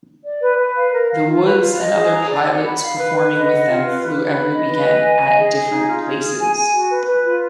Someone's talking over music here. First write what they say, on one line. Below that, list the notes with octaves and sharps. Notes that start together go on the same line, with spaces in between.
The Woods and other pilots performing with them flew every weekend at different places.
D5
B4
B4
F5
A#4
F5
F4
B4
F4
D#5
G#4
A#5
D5
F#5
B5
F5
B4
B4
D#5
F#5
F4
B4
B4
B4
B5
D#5
B4
D#5
G#5
D#5
G#4
G#4
D#4
F4
G#4
G#4
G#5
G#5
F#4
B4
B4
F4